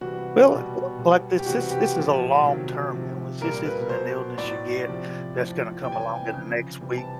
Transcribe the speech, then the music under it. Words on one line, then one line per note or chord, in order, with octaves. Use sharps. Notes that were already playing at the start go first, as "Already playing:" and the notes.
well, l like this is this is a long term illness. This isn't an illness you get that's gonna come along in the next week
C3 E3 G3 F#4
B2 G3
B2 G3
G4
C3 E3 G3 F#4
G4
A#2 F3
C3 D#3 F#3
C3 F3
A#2 G3 A#4
B4
B2 F#3 C5
A2 F#3 D5
C3 F3
A2 F3
C3 E3 G3 G5
G#5
G5
C#3 F3
C3 E3 G3
A5